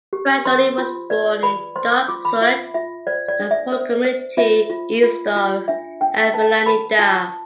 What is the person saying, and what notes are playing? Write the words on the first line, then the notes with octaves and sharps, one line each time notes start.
Brandoni was born in Dock Sud, a port community east of Avellaneda.
G4
C5 C6
F4
B4 D5
B4 B5
C5 C6
E6
F4 D6
B5
F4 E5
F4 E5
C5 D5
D5
D4
E5
C5
C5
F4 E5
F4
F4
F4
D4 E5
D4 G5
B4 A5
B4 B5
F4 A5